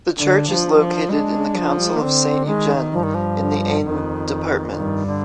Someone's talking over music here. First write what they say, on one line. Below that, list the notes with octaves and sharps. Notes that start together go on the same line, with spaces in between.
The church is located in the council of Saint-Eugène, in the Aisne department.
D3 D4
F3
F3
G#3 D4
F3
G3
G#3
A#3
D3 C4
D#3 G#3
G2 F3
D#3
F3
F2 D#3
D3
G2 D#3
D3